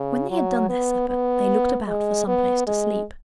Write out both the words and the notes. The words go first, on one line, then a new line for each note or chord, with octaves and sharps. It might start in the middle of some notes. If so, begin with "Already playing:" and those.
When they had done their supper they looked about for some place to sleep.
Already playing: C#3
F#3
B3
B3
G#3
B3
G#3